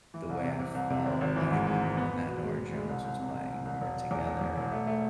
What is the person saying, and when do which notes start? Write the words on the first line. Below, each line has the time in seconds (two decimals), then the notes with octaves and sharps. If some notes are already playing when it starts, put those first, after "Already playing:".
the way I felt like when that Norah Jones was playing, we were together and
0.14 E3
0.29 C2
0.44 C3
0.59 C3
0.75 C2
0.90 C3
1.06 G#1
1.21 G#1
1.36 E3
1.51 G#2
1.67 G#2
1.82 G#2
1.97 B3
2.13 B3
2.28 B2
2.43 G#3
2.58 B2
2.73 G#3
2.89 C2
3.04 C2
3.19 C3
3.35 C2
3.50 C2
3.65 C2
3.81 E1
3.96 E1
4.11 E2
4.26 E1
4.41 E2
4.57 E1
4.72 A3
4.87 A3